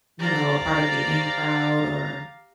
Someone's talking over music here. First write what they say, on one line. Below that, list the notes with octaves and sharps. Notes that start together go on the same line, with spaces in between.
you know, a part of the in crowd, or
G4 C5 D5 F5 A#5 A6